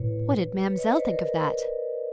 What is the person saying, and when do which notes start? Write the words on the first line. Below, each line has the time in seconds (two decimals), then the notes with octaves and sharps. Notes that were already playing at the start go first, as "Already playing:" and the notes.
"What did Mam'selle think of that?"
Already playing: A2 B4 C#5
0.66 B4 C#5
0.78 C#5 D#5
0.89 C5 D5
1.00 B4 C#5
1.11 A#4 C5